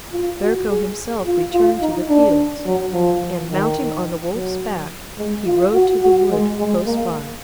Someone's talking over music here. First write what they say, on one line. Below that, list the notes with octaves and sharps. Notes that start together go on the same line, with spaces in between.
Ferko himself returned to the fields, and mounting on the wolf's back he rode to the wood close by.
F4
F#4
G#4
F4
F4
D#4
D4
F#3
F3
D#3
F#3
G#3
F4
F#4
F#4
G#3
G#3
A#3